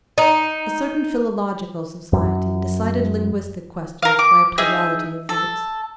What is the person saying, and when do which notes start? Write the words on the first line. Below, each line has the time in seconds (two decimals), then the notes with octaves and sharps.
A certain philological society decided linguistic questions by a plurality of votes.
0.18 D#4
2.13 F#2
4.02 A#4 F5
4.19 D6
4.58 D#4 G#4 E5
5.29 A4